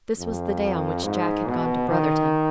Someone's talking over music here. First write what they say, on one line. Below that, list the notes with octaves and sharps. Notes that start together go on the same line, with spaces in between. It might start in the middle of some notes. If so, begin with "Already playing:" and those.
This was the day on which Jack had gone to Brotherton.
F2
G#2
B2
D#3